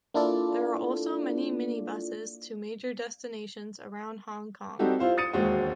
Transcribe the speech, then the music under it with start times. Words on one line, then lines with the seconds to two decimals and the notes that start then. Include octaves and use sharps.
There are also many minibuses to major destinations around Hong Kong.
0.14 A#3 D4 E4 F4 A4 D5
4.79 G3 C4 D#4 F#4 G4 A4
4.99 E4 F4 C5 F5
5.17 D#6 A6 C#7 D#7
5.33 E1 D#2 G#2 G#3 F#4 C5